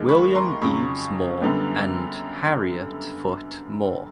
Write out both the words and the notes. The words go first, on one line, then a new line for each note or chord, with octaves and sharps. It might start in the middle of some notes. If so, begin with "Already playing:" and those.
William Eves Moore and Harriet Foot Moore.
Already playing: D#2 D#3 G#3
B5 C#6
A#5 C6
F2 C#3 F#3 B5 C#6
F#2 D3 G3 B3